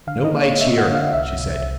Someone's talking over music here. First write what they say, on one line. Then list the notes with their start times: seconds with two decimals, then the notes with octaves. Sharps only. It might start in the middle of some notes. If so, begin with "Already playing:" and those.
"No lights here!" she said.
0.07 D3 F5
0.24 D#5
0.34 A#3
0.42 C#5
0.60 A#3 E5
0.78 F#5
0.86 D3
0.95 F5
1.13 C2 E5
1.39 C2